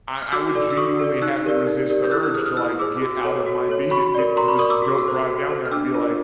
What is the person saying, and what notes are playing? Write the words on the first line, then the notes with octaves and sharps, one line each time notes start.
I I would genuinely have to resist the urge to, like, get out of my vehi get to this go drive down there and be, like,
F6
F#4 D6 E6
A4 D5
E6
F#4 C#6 D#6
A4 D5
D#4 E6 F#6
G4 A#4 D5
D#4
G4 A#4 D5
G6
E4 E6 F#6
E6 F#6
G#4 C5 D#6 F6
D#6 F6
E4 E6
D#6
G#4 C5 D6 E6
F#4
A4 C#5
F#4
A4 C#5
F#4 B5 C#6
A#4 D5
F#4 A#5 C6
B5 C#6
A#4 D5 C#6 D#6
D6 E6
F#4
A4 C5
F#4
A4 C5
F6
D4 D6 E6
F4 A#4 C#5